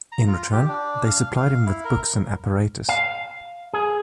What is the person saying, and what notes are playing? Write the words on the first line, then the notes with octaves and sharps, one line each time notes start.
In return, they supplied him with books and apparatus.
A#5
F4
G4
D4
F5
F5
E4
A#4
F5
G#4